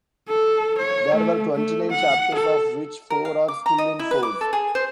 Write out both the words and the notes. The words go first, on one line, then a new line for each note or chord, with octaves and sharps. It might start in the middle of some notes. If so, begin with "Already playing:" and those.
There were twenty-nine chapters, of which four are still in force.
A4
C#5
A3
A3
F#5
A4
A#4
F5
D6
A#5
D#5
E4
B4
D6
A4
G#4
C5